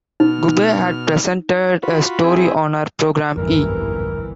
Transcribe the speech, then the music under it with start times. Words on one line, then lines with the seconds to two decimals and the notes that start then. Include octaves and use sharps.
Gubbay had presented a story on her program E!
0.20 B2 D#4 F6
1.83 F4 F#4 B5
2.23 C4 E4 G#4
3.37 G1 C2 F2 G#2 D3 E3 A#4